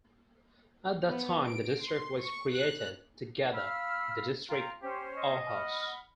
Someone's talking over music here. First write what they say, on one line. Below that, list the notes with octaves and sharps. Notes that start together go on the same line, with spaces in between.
At that time the district was created, together with the district Ahaus.
B3
D7
C6
C#6
F#6
F5 B5 E6 F6
F4 G5 A#5
C#4 G4 C5
D#5
F#5 B5 F6